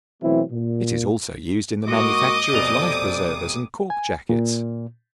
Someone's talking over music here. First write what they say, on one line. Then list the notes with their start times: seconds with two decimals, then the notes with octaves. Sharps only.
It is also used in the manufacture of life preservers and cork jackets.
0.23 B2 E3 F#3 A3 C4 E4
0.51 A#2
1.88 G#2 A#3 F#4 D#5 D6 D#6
2.53 F1 B2 A4 C5 D5 F7
3.90 G#5
4.29 A#2